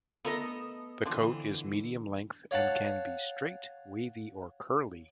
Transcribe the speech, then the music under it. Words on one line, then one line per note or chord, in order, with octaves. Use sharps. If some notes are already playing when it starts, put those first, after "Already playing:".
The coat is medium length and can be straight, wavy, or curly.
A3 B3 F4 A4 A#4 D#5
D3 E3 F3 C4 D4
C#5 F5 F#5 A5